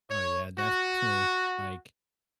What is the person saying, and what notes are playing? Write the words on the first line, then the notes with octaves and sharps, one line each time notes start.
Oh, yeah, definitely. Like,
C#5
F#4